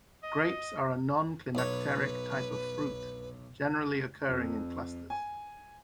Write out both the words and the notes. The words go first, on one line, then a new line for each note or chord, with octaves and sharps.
Grapes are a non-climacteric type of fruit, generally occurring in clusters.
D#5
B1 B4 C#5
F2
G#5